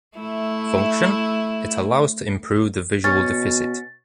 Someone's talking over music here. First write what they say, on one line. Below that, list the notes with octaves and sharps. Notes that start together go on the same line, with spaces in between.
Function: it allows to improve the visual deficit.
A3 E4
B2 C#4 A6